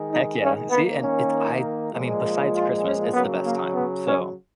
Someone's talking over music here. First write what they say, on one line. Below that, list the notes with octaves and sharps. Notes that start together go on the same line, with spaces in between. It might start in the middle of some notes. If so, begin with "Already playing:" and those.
Heck yeah, see? And if I I mean, besides Christmas, it's the best time. So,
Already playing: D#3 G#3
D#4
C#4
D#3 A#3 B3
C#4
A#2 F3 G#3
F4
C#4
C#3 F#3 A#3 B3
A#3
B3
C#4